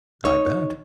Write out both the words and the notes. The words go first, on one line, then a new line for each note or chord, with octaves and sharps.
I bet.
D#4 C#5